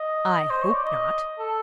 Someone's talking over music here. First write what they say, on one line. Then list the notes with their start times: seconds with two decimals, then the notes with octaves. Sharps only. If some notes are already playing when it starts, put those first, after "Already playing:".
"I hope not."
Already playing: D#5
0.50 C5
0.62 C#5
0.74 D5
0.84 D#5
1.39 A4